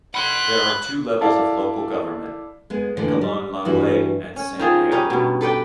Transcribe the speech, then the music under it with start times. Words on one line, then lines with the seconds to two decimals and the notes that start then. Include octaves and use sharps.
There are two levels of local government, Miquelon-Langlade and Saint-Pierre.
0.15 F#5 B5 C6 F#6
1.21 E4 A4 D5 F5
2.70 G#3 B3 G#4
2.97 A2 D3 E3 A#3
3.21 G3
3.65 G2 E3 G3 E4 F#4
4.36 C#4
4.59 D#3 F3 G#4
4.92 G3 C#4 D#4
5.10 G2 B2
5.41 A4 B4 D5 G5